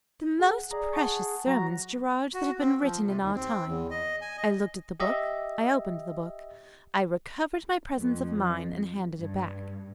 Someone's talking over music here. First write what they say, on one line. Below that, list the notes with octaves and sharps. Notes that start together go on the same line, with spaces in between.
"The most precious sermons, Gerard, that have been written in our time." I looked at the book; I opened the book; I recovered my presence of mind, and handed it back.
G#4 F#5
G#4 D5 A#5
F#5 A5 C#6
F#3 F#4 A#5
F#4
C4
F3
C3
D#2
C4
E2
D#5
G#5
D#5
G4 D#5 E5
F2
G2